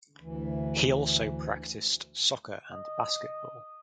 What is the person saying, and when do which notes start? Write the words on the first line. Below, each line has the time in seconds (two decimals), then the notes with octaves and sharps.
He also practiced soccer and basketball.
0.20 D2 E3
2.69 D#5